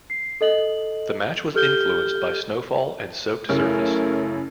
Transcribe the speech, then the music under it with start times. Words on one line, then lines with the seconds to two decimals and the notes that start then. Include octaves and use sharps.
The match was influenced by snowfall and soaked surface.
0.10 C7
0.41 A4 D#5 F#7
1.54 G4 A4 F6 G6 G7
3.49 F#2 C#3 A3 E4 A#4 F6